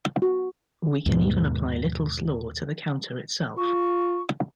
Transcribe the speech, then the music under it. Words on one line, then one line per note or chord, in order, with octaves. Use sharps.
We can even apply Little's Law to the counter itself.
F#4
D#2 G#2 B2
F4 C#6